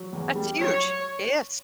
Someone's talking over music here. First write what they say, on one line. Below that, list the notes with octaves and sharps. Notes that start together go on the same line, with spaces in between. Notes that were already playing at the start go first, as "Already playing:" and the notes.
That's huge. Yes.
Already playing: F#3
E2
G3
F#3 C#5